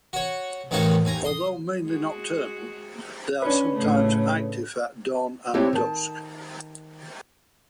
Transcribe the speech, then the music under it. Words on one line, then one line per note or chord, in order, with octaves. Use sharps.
Although mainly nocturnal, they are sometimes active at dawn and dusk.
F#4 C#5
A1 D#3 D#4 F#4 C#5 F5
D#2 G#5 A#5
C6 D#6
G#3 F#4
C#4 D4 B4
A2 C#3 A3
C4 D4 E4 G4 C5 C#5
D#3 A5